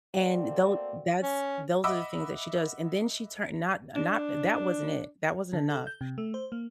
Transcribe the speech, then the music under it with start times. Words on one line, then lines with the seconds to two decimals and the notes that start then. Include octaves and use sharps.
And though that's those are the things that she does. And then she turn not not that wasn't it, that wasn't enough.
0.16 A3 A#3 C4 F#4 D5
1.23 C#4
1.84 D#5 E5 F#5 B5 D6 E6
3.96 D4
5.53 D3
5.70 A4
5.87 G6
6.01 C3
6.18 A3
6.34 C5
6.52 A#3